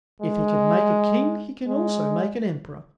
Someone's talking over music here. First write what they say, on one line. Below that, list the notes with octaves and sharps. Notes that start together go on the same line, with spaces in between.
If he can make a king, he can also make an emperor.
G#3
G#3